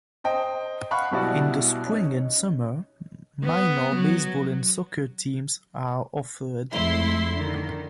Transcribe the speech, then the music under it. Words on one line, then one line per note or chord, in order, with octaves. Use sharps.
In the spring and summer, minor baseball and soccer teams are offered.
C5 D#5 G5
F5 F#5 B5 C#6 F#6
B1 B2 G3 E4 F#4 D5
C#4 D#4
B3
F#3
F2 G#3 A3 E4 C6
D3 D#3